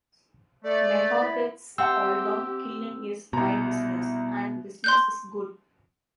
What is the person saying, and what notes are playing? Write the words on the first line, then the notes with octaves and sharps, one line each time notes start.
Megadeth's album Killing Is My Business...And Business Is Good!
A3 D5
E4 B5
C4 G4 E5 F#5 A5 E6
C2 B2 A#5
C6 F#6 G6